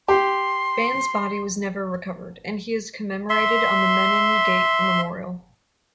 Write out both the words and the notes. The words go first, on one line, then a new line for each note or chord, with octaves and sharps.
Band's body was never recovered, and he is commemorated on the Menin Gate memorial.
G4 C6
E5 C6